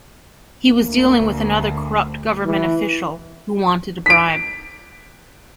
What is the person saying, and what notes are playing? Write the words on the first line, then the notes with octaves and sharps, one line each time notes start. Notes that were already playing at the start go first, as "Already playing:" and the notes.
He was dealing with another corrupt government official who wanted a bribe.
D2 A#3
E3
B6 D7